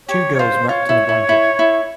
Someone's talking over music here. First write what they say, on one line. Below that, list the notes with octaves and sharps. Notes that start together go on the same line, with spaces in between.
Two girls wrapped in a blanket.
G4 C#5
C#5
F4 C5
F4 C#5
E4
E4
E4
E4